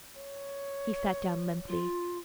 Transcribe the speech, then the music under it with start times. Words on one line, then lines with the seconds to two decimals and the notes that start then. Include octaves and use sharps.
He sat down limply.
0.17 C#5
1.68 F4